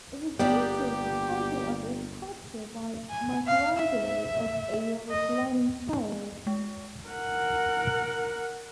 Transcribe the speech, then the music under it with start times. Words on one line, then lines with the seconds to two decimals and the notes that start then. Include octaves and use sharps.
It is also the title of a sculpture by Michelangelo of a reclining child.
0.39 G1 A#3 B3 G4 D5 G5
3.11 G#5
3.47 F5
3.78 E5
5.11 D#5
6.47 G#3
7.08 A#4 F#5